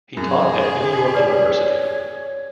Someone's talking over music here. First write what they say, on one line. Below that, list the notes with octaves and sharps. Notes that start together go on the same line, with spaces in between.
He taught at New York University.
F#2 G#4
B4 C#5 D5